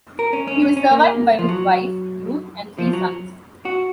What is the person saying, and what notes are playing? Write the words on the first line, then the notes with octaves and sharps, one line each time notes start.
He was survived by his wife, Ruth, and three sons.
A#4
C#4
C#4
C#4
C#4
A#3
F3
F#3
F3
F#3
F#4